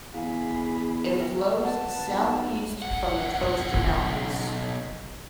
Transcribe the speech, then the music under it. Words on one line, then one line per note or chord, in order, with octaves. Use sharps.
It flows south-east from the Coast Mountains.
E2 G#4 F5 A#5 B5
B4 E5 G5
B4 F#5 A5
B1 F#5
B1 F#5